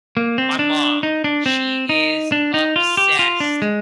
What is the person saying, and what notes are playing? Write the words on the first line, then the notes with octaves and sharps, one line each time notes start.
my mom, she is obsessed
A#3
C4
D4
D#4
D4
C4
D#4
D4
D#4
F4
G4
F4
D4
G#3